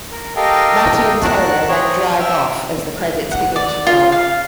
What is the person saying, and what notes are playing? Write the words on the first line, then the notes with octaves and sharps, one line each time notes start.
Matty and Taylor then drive off as the credits begin to roll.
A#4
G4 A4 A#4 D#5 F5 G5
F#4 A#4 A5 F#6
C4 G#4 C#5 G5 A#5
E5 G5 F6
F#5
D5
F4
F5